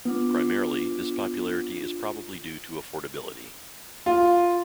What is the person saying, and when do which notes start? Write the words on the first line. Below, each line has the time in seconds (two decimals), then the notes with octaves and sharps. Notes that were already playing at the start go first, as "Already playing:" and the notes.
Primarily, this popularity is probably due to affordability.
0.05 B3 D4 F4
4.06 F4